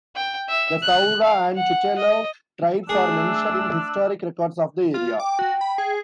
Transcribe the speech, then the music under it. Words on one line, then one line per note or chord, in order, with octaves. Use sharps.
The Saura and Tutelo tribes are mentioned in historic records of the area.
G5
E5
F#6
F5
F#5
D#5
A3 D4 G#4 E6
F4
G5 D6
F#4
B5
G#4